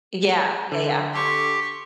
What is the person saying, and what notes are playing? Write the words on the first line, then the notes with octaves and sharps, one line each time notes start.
Yeah, yeah, yeah.
D3
G4 C6 C#6